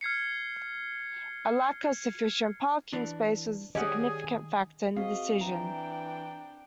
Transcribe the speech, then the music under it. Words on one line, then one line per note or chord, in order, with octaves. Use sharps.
A lack of sufficient parking space was a significant factor in the decision.
F6 G#6 C7 C#7
E3 D4
D#3 G3 C#4 G4 G#4 D#5 F#5
C4 F#4 G#4 D#5 F5
E3 D4 G5 A#5